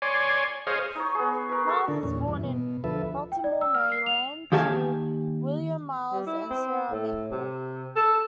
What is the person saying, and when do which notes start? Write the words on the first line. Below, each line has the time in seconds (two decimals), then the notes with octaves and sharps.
Miles was born in Baltimore, Maryland to William Miles and Sarah Mickle.
0.02 C#5 D5 G#5 C6
0.67 G#4 C5 C#5 D#5 F5
0.95 D#4 C#5
1.15 B3 G#4
1.49 A#4 B4
1.67 G#3 A4 B5 C#6
1.88 D3 D4 A4 A#4
2.03 E2 A#2 C#4
2.28 G2 E3
2.44 B2
2.84 D2 F3 A4 B4 E5
3.32 G5
3.44 D5
3.61 E6
3.75 F6
3.92 C7
4.06 F7
4.52 D#2 D#3 G4 F5 G#5 A5
6.12 G3
6.26 E4
6.50 C4
6.91 A2
7.31 C3
7.96 A4